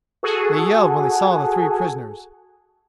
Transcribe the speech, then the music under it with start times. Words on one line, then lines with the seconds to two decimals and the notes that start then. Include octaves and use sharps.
They yelled when they saw the three prisoners.
0.23 F#4 G#4 A4 F#5 G#5